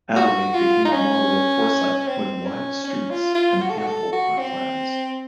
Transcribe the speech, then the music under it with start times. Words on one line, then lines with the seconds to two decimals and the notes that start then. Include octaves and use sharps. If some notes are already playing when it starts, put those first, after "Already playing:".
Adelaide became a model of foresight with wide streets and ample parklands.
0.16 F#4
0.54 F4
0.85 D#4
0.93 C#4
2.08 C4
2.46 C#4
2.84 C#4
3.11 F4
3.35 F4
3.61 F#4
3.70 A4
3.78 F#4
3.87 A4
4.13 F#4
4.39 C4